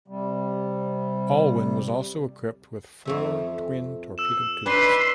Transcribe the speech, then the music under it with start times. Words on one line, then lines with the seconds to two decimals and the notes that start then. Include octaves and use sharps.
"Aylwin" was also equipped with four twin torpedo tubes.
0.08 C3 G3
3.05 F2 A3 E5
4.18 E6 E7
4.66 D4 D#4 B4 C6